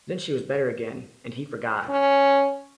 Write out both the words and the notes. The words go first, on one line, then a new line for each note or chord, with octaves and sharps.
Then she was better again, and he forgot.
C#4